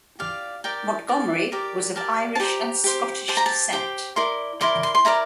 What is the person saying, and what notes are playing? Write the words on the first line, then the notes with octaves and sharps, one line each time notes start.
Montgomery was of Irish and Scottish descent.
G4 D5 F5
G4 A#4 D5 G5
G4 A#4 D5
G4 A#4 D5
G4 A#4 D5 A5
A5
G4 C5 A#5
G4 C5
G4 C5 A5
A#5
A5
G4 C5 G5
E4 A#4 D5 C6
E4 A#4 D5 C6
C6
C6
E4 A#4 D5 A#5